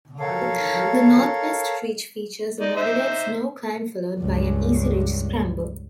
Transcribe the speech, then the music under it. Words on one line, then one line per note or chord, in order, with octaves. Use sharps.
The Northwest Ridge features a moderate snow climb followed by an easy ridge scramble.
A4 A#4 C#5 F5
D#4 D5
D#4 C5 E5
C#2 G2